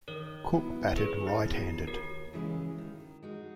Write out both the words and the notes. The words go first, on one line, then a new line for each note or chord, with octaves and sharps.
Cook batted right handed.
D#3 A#4 C#5
F#3 B3 E4
C#5
F#2 G#4 B4
E4
D#3 F#3 B3 D#4
F#4
D#2 F#4 A#4
C#3 E3 G#3
D#3
G#3 D#4 F#4